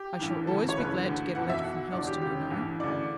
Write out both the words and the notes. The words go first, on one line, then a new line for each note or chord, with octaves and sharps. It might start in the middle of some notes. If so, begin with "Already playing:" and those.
I shall always be glad to get a letter from Helstone, you know.
Already playing: G4
A1 G2 E3
D2 C#3 E3 A4
C#5
E1 D2 C#3 E3 B4
D2 D3
F#1 E2 B2 F#5
E5
B1 B2 F#5
E1 E2 D3 D5
G4
E1 D2 C#3 G4
A1 G2 E3
D2 C#3 E3 D5